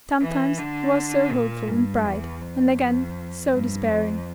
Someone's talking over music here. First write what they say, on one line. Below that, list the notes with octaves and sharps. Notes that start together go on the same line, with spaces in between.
Sometimes he was so hopeful and bright, and again so despairing.
E3
D3
A#2
G2
E2
F2
G2
F2